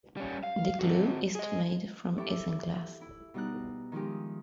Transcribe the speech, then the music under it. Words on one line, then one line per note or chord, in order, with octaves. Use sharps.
The glue is made from isinglass.
G3 C#4
F5
C4 F#4
G#4 D#5
E4 G4 A4 E5 C#6 D6
E4
B2 G3 D#4 A#5 F#6
D#3 F3 G#3 G4